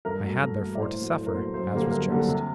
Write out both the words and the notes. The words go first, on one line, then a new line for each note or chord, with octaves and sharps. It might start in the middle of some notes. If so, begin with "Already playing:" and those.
I had, therefore, to suffer, as was just.
G2 A#4
F#3 A3
G2
F#3 A3
D5
A2 C5
F#3 A3
A2 C5
A#4
F#3 A3 C5
F#2 C5
D3 G3 A#3
F#2 A#4
D3 G3 A#3
C3